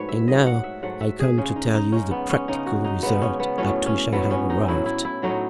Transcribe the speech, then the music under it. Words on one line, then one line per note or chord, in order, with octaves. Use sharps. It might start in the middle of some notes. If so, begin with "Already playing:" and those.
And now I come to tell you the practical result at which I have arrived.
Already playing: G#2 F#3 A3 B4 C#5
E5
G#2 F#3 A3 D#5
F#5
E5
G#2 F#3 A3 F#5
E5
G#4
C#3 G#3 C#4
D#4
D#4
C#3 G#3 C#4
B3
C#4
C#3 G#3 D#4
F#4
D#4
C#3 G#3 B3
C#4
B3
A2 F#3 A3 C#4
C#4
A2 F#3 A3 B3
C#4
D#4
A2 F#3 A3 E4
E4
E4
A2 F#3 A3 D#4